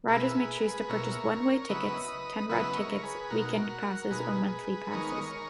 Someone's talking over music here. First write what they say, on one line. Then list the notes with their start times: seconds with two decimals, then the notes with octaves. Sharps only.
Riders may choose to purchase one-way tickets, ten-ride tickets, weekend passes or monthly passes.
0.08 B2 A#3 E4 G#4 B4
0.36 G#4 B4
0.57 A#4
0.62 G#4 B4
0.88 B2 A#3 E4 A#4 C#5
1.62 C#5
1.69 C#3 F#3 B3 E4 B4 D#5
2.49 C#3 F#3 B3 E4 B4 D#5
2.76 A#4 C#5
3.03 G#4 B4
3.30 B2 A#3 D#4 F#4 A#4
4.10 B2 A#3 D#4 G#4 B4
4.91 D#3 G#3 B3 D#4 A#4 C#5